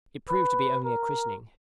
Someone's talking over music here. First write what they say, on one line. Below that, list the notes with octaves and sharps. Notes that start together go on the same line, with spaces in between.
It proved to be only a christening.
B4
A#4